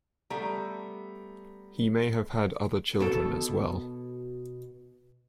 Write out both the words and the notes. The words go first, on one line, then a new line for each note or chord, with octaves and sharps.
He may have had other children as well.
G3 A3 B3 A#5
B2 A4